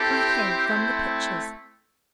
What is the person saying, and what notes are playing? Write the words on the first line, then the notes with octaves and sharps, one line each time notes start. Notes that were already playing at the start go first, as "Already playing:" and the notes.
I have, from the pictures.
Already playing: C4 E4 G4 A4
C5
A3 C4 E4